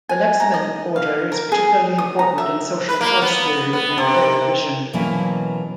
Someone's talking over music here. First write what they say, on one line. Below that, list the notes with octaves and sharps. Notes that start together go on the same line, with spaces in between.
The leximin order is particularly important in social choice theory and fair division.
G#5
A#5
D#5
F5
A#4
G#4
D#6
A#5
E5
B4
A#3
B3
B3
C3
B2 E3 F#3 A#3 C#4 E4